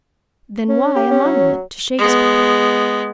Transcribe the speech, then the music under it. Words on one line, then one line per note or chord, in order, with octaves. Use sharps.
Then why a monument to Shakespeare?
C#4
G4
C#4
F#3
G#3 B3